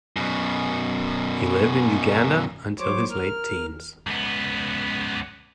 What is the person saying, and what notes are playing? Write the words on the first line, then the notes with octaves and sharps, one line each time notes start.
He lived in Uganda until his late teens.
F#2 B2
F#3 C5 C#5 D6
A#4 F6
C#2 B3